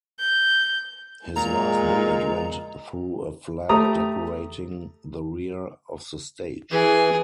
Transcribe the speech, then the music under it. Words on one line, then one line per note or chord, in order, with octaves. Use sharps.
His last bullet went through a flag decorating the rear of the stage.
G6
A#2 G#3 A#5
A3 G4 A#5 D#6
E3 G#4